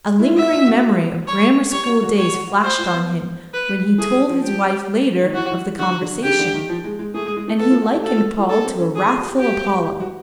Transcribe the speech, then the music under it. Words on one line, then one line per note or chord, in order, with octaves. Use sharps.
A lingering memory of grammar school days flashed on him when he told his wife later of the conversation, and he likened Paul to a wrathful Apollo.
E4
F4
F#4 E5
F4
F#4
C#5
G4 C#5
F#4
F#4
G4 C#5
F#4
F#4
F#4 C5
F4
B3
B4
A3 G#4
G3
F3
G4
D#3
E3 F#4
E3
D3 F#4
D3
C#3 G4
D3
D#3
F3
G#3
G#3
A3 G#4
G#3
G#3
A3
B3 A4
F4
F#4
G4
F#4 A4
F4
F4
D4 A4
C4
C#4
D4 G#4
E4
F#4
G4
F#4 G4
F#4
G4
F#4